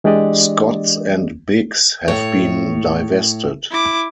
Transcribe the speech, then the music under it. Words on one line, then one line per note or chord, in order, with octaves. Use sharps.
Scotts and Biggs have been divested.
E3 G#3 D4 G4 D5 D#5
A2 C#5
E4 D6